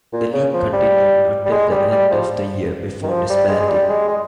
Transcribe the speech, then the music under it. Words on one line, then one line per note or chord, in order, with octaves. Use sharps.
The league continued until the end of the year before disbanding.
A#2
C#3
F3
G3
G3
G#3
G3
G3
F3
D#3
F3
G3
G#3
G#3
G3
G#3
G#3